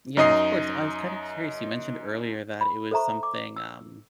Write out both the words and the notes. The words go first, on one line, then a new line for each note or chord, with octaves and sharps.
Yeah, of course. I was kinda curious, you mentioned earlier that it was something, um
F#2 D#4 D#5 D#6 C7
B5
A4 C5 E5 A#5 C#6
D6
E6